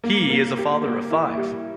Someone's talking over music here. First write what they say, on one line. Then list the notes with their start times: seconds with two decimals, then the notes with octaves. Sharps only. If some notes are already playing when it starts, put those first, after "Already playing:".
He is a father of five.
0.04 A#3
0.30 A#3
0.58 G4
0.84 A#3
1.10 E4
1.37 G3